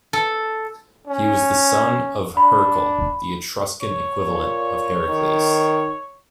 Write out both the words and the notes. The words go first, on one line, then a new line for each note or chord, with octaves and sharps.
He was the son of Hercle, the Etruscan equivalent of Heracles.
A4
C#4
D4 B5
C#5
A#2
D#3